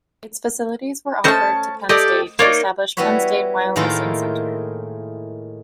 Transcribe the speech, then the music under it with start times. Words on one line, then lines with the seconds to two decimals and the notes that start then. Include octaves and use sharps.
Its facilities were offered to Penn State to establish Penn State Wyomissing Center.
1.24 A3 C#4 C5 D#5 A5
1.89 G4 A4 D5 D#5
2.39 A#3 D#4 C#5 D5
2.97 G3 B3 E4 F#4 B4 C#5
3.76 A2 D#3 G#3 A#3 E4 F4